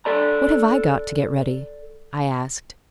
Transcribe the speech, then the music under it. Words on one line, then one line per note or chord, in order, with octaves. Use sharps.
'What have I got to get ready?' I asked.
A4 D5 A#5